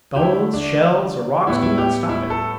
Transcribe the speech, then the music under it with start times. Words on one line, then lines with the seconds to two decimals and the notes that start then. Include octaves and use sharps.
Stones, shells, or rocks do not stop it.
0.16 G4
0.21 D3 A3 E4
0.54 D4
1.47 A2 G3 B3 E4
1.62 E4
1.78 G4
2.09 E4
2.30 A4